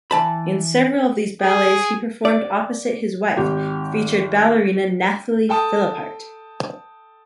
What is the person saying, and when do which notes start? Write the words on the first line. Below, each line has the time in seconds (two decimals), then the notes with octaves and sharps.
In several of these ballets he performed opposite his wife, featured ballerina Nathalie Philippart.
0.11 E3 A5 B5
1.42 G#4
2.25 D5
3.36 G#1 G4 G5
5.49 A4 G5 A5 D#6